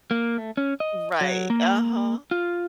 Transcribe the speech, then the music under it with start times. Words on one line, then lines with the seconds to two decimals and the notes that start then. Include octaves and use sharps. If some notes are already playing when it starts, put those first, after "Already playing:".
Right, uh-huh.
0.11 A#3
0.38 A3
0.57 C#4
0.80 D#5
1.21 F#3
1.50 A#3
2.31 F4